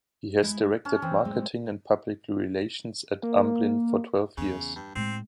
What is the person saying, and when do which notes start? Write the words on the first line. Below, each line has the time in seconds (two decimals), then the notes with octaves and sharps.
He has directed marketing and public relations at Amblin for twelve years.
0.43 G#3 E4
0.85 C#4 C5 A5
1.02 E3 C4
1.25 A2 F#3 G#3
3.23 A#3
4.37 E2 C#3
4.76 G2
4.95 A2 G#3 C4